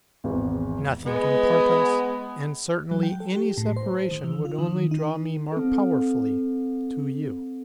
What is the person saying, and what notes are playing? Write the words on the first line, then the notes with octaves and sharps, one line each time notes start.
Nothing can part us; and certainly any separation would only draw me more powerfully to you.
G#1 E2
G#3 B3
F#3
G5
A4
G4
A2
C5
D#3
E3
F4
D#3
D#4
C4 A4